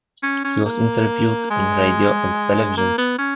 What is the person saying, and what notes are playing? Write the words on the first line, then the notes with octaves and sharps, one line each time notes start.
He was interviewed on radio and television.
C#4
C#4
A#3
G#3
A#3
B3
C#4